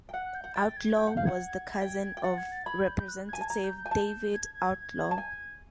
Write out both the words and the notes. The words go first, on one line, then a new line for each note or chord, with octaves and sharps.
Outlaw was the cousin of Representative David Outlaw.
G5
F#5 F#6
F#6
G6
F#5
G5 A6
G#6
G5 G6
F#5
G6
F5
F#5 G#6
G5
G5
F#5 A6
G#6
A6
B5 G#6
G6
G6
F#6
G#5 G#6
A5
A#5 G#6
G6
G6
G#5
A5
G#6
G#6
A5
G#5